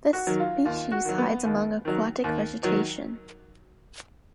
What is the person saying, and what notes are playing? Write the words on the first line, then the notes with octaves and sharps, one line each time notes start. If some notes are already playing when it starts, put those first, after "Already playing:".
This species hides among aquatic vegetation.
F#4
D#3 F#3
F4
D#2 F4
F#4
D#3 F#3
B3
D#2
D#3 F#3
D#2
D#3 F#3